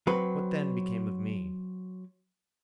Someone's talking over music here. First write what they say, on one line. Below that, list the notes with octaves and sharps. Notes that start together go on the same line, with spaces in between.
What then became of me?
F#3 C4 B4